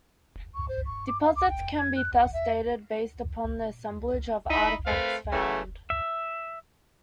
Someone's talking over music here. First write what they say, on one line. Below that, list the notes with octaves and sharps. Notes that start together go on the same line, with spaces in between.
Deposits can be thus dated based upon the assemblage of artifacts found.
C#6
C5
C#6
D6
F5
D6
G5
G#6
F#6
F#5
E5
D#4 E4 E5 B5
A3 C4 A#4 B4 F5
C#3 E3 A3
E5